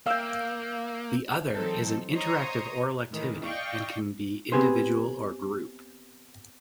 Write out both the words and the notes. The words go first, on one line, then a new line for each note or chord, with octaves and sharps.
The other is an interactive oral activity and can be individual or group.
A#3 E5 F5 G5 E6
E3 F#3 C4 D#4 A4
C5 C#5 D#5 A#5 D#6
A2 D#3 E3 G#3
D5 D#5 F5 G5 C#6
B3 C4 G4 G#4 B4 C5